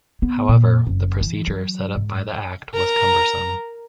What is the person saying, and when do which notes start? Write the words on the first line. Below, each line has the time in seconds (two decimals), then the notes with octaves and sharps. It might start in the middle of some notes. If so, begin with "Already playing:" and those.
However, the procedure set up by the Act was cumbersome.
0.22 B3
0.49 A#2
0.87 F#1
1.21 E3
1.48 F#3
1.95 G#2
2.74 A#4 A#5